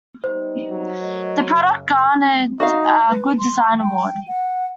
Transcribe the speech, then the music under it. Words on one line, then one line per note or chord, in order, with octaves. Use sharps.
The product garnered a Good Design Award.
G3 B3 D#4 C5
F#3
A3 A#4 D#5
F#2 C#3
D#4 F#4 E5 F5
B4
C6
G5
F#5